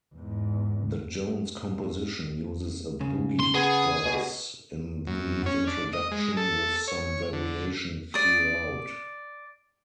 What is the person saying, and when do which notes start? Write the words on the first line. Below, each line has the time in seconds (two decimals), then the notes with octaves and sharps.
The Jones composition uses a boogie bass in the introduction with some variation throughout.
0.15 E2 G#2
3.01 C#3
3.40 C6
3.55 B3 G#4
4.05 B2
5.07 F#2
5.46 C#4
5.67 D4
5.93 D#5
6.12 G#3
6.37 A4
6.88 C#5
7.33 D3
8.14 D5 D#6